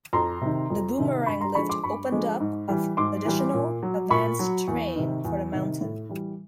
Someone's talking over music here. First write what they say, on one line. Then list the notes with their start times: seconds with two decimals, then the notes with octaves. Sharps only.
The Boomerang lift opened up of additional advanced terrain for the mountain.
0.13 F2 A#5 C6
0.42 C3 D#3
0.70 F2
0.98 C3 D#3
1.26 G2 B5 C#6
1.41 A#5 C6
1.55 D3 F3 G#3 B5 C#6
1.69 C6 D6
1.83 G2 B5 C#6
2.12 D3 F3 G#3
2.40 G#2
2.68 E3 G3
2.97 G#2 C6 D6
3.25 E3 G3
3.54 A#2
3.83 F#3
4.10 A#2 B5 C#6
4.39 F#3
4.68 E2
4.96 C3 D#3
5.25 E2
5.53 C3 D#3
5.81 A2
6.09 E3 G3